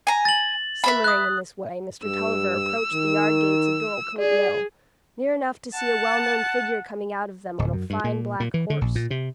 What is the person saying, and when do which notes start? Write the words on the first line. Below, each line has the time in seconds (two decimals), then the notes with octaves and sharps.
Simmering in this way, Mr. Tulliver approached the yardgates of Dorlcote Mill, near enough to see a well-known figure coming out of them on a fine black horse.
0.07 G#5 A#5
0.25 A6 F#7
0.84 B4 E5 B5
1.04 D#6 F#6
2.04 G2 E6
2.94 D#3
4.18 G#4 D5
5.74 F#5 A5
7.59 D1
7.73 F#2
7.90 G2
8.04 A#2
8.40 A#2
8.54 E3
8.70 D3
8.81 A#1
8.95 A#2
9.10 C3